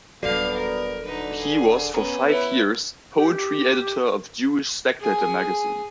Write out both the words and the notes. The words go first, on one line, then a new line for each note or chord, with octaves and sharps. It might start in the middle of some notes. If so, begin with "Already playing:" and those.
He was, for five years, poetry editor of Jewish Spectator magazine.
D#1 F#3 B3 D4 F#4 A4 D5 F5
A#4
D3 D#4 B4
G#4
B3 C#4 A#5
E4 B4 C#5
G4
G#4 G#5